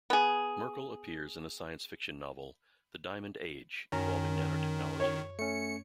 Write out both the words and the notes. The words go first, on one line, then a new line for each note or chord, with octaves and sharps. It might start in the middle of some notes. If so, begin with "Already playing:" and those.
Merkle appears in the science fiction novel "The Diamond Age", involving nanotechnology.
B3 G#4
F#2 D#3 C#4 A#5
C#5
A3 C#4 C#7